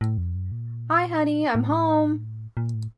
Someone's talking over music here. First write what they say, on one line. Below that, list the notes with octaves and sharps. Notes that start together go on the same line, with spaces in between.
Hi Honey, I'm Home!
A2
F2
F#2
A#2
A2
A#2
A2